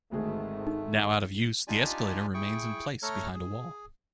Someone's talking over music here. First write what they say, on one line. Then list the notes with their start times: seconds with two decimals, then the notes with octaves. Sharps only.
Now out of use, the escalator remains in place behind a wall.
0.12 G#1 D2 D#3 G#3 A3 G#4
0.67 D#4
1.67 D4 D#4 F4 G4 D5 G#5
2.34 E4 G#4 G5 C#6
3.03 A3 A4 C#5 A#5 F6
3.34 G#4